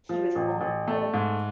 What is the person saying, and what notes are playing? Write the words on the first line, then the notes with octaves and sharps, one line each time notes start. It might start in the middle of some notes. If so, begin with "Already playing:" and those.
he would fall on the floor.
F3
A1
A1
A3
G#2